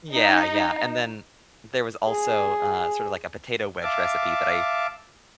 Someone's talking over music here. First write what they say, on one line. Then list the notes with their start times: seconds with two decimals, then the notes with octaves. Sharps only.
Yeah, yeah, and then there was also, uh, sort of like a potato wedge recipe that I
0.14 D#4
2.09 G#4
3.83 E5 F5 A5 D6